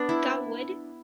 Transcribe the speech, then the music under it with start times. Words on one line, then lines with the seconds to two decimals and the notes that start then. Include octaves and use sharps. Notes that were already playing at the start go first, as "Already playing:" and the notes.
Got wood?
Already playing: B3 D4
0.09 E4